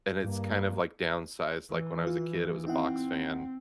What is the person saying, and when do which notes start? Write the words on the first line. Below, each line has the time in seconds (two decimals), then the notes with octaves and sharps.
and it's kind of like downsized, like, when I was a kid, it was a box fan,
0.21 G2 A#3
1.71 E3
2.07 F4
2.67 C4 D#4 E4 F#5